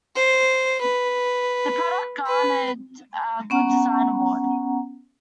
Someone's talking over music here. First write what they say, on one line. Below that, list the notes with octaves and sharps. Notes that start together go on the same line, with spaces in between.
The product garnered a Good Design Award.
C5
B4
B4
B3 C#4 F#5 A#5